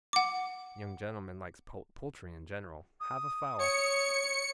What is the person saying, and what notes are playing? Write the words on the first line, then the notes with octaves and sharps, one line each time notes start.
Young gentlemen likes poultry in general: have a fowl!'
F#5 D6
D#6
C#5 C#7